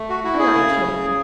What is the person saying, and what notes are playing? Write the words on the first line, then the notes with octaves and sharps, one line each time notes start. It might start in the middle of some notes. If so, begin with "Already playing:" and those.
I like him.
Already playing: A3
F#4
E4 F#4
G#4
C#3
C#3